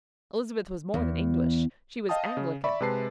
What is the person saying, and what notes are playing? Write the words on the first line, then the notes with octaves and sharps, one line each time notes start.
Elizabeth was more than English--she was Anglican.
E2
D#5 F5 G5 A5 D#6
C#3
D5 E5 B5 C#6
C3 G#3 B4 A5 C7